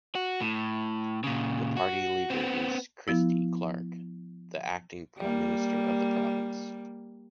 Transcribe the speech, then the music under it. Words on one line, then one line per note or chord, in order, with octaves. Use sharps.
The party leader is Christy Clark, the acting prime minister of the province.
F#4
A2
A#2 C#3
F#4
B3 C4
F3 B3 E4
G3 A#3